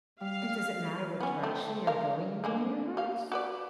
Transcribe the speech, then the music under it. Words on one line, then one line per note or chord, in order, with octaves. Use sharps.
And does it matter what direction you're going in the universe?
G3 F5
B3 C#4
A3 C4
A#4 F5
D3 G#3 A#3
A#3 F5
F#4 B4 D5